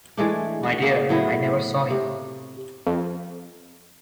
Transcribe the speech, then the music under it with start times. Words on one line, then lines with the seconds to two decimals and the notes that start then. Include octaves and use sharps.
My dear, I never saw him.
0.17 E3 G#3 A3 D4
0.63 F#4
0.82 C#3 A#3
1.09 A2 F#3 B3 E4
1.90 C3
2.86 F2